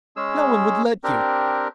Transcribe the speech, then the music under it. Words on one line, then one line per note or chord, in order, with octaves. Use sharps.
No one would let you!...
G#3 C#4 G#4 E6
C4 D4 G4 A#4